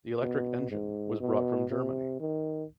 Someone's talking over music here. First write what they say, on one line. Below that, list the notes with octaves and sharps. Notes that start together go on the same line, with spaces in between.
The electric engine was brought from Germany.
B2
G#2
B2
C3
D#3